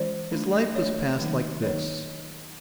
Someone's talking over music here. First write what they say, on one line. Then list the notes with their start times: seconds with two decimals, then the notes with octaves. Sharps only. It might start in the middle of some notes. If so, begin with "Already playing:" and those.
His life was passed like this.
Already playing: E3 G#3 C#4 F4 C5 D5
0.31 A3 D4 F4
0.75 A3 D4 F4 C#5 D#5
1.19 D#3 F#3 A#3 D#4
1.62 D#3 F#3 A#3 D#4 C#5 D#5